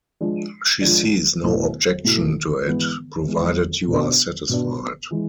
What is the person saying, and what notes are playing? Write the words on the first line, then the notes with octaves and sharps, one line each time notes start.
She sees no objection to it, provided you are satisfied.
F3 G#3 D4
F3 G#3 D4
B2 A3 E4
B2 A3 E4
E3 G#3 B3
E3 G#3 B3
B2 B3 D4
B2 B3 D4
E3 G#3